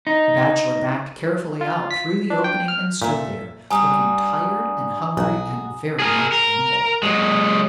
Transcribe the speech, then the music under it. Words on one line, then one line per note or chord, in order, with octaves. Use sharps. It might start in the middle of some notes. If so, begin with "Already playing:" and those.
The Bachelor backed carefully out through the opening and stood there, looking tired and hungry and very much rumpled.
D#4
F4
B6
D4
G5
F6
A#2 A4 E5
G3 D4 F#4 G#5 A#5 D#6
B1 F#4 G#4
G#4 A#4
A#4
F#3 G#3